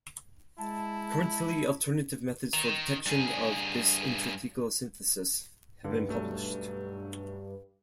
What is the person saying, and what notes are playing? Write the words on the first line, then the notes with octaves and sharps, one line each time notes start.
Currently alternative methods for detection of this intrathecal synthesis have been published.
G#3 E4 A5
D#3
G2 G#4
G2 D3
B1 F#3 A3